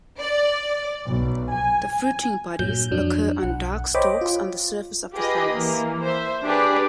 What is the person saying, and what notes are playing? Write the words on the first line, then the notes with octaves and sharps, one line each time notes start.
The fruiting bodies occur on dark stalks on the surface of the thallus.
D5
B1
G#5
G2 A#2 F#3 G6
F2 F#3 D4
B1 F#5
C5 C#5 D#5 G5 B5 D6
F4
F4 G4 G#4 B4 D#5
E3 A#3
C5 E5
D4 G4 G#4 B4 D5